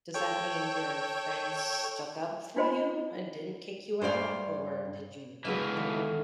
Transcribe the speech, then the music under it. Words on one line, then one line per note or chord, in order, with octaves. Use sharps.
Does that mean your friends stuck up for you and didn't kick you out, or did you
A4 C#5 G5
D4 F4 C5 D#5 B5
G2 C5 D5 F5
C#2 D3 E3 G#3 B3 F#4 F5
D#3 A3